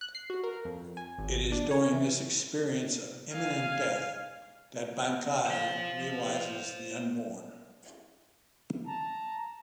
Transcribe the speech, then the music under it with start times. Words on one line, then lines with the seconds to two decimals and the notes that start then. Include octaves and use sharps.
It is during this experience of imminent death that Bankei realizes the unborn.
0.01 F#6
0.15 C7
0.30 F#4
0.43 A#4
0.65 F2
0.97 G#5
1.18 G#1
1.52 D4
1.71 C#5
1.92 E3
3.33 F5 G#5
5.46 C5 F5
8.87 A5 A#5